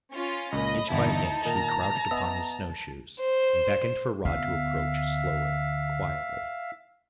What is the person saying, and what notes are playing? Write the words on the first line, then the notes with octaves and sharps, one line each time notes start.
Inch by inch he crouched upon his snow-shoes, and beckoned for Rod to approach, slowly, quietly.
C#4 F4
C#2 A#2 D#5 B5
G1 E2 D#4 E4 A5
A#2 D#3 D#4 A#5
B3 D#5 E5
C5
D2 B3 E5 F5